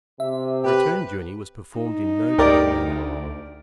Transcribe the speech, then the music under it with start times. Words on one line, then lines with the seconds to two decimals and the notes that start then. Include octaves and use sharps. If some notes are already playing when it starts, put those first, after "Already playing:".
The return journey was performed in no better manner.
0.20 C3 E5
0.64 G4 B4
1.78 D#4
2.38 D2 G4 A#4 D5